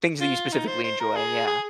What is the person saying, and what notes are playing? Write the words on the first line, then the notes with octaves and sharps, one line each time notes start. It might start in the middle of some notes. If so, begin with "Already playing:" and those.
Things that you specifically enjoy, yeah.
F4
D#4
C5
C5
A#4
G#4
G#4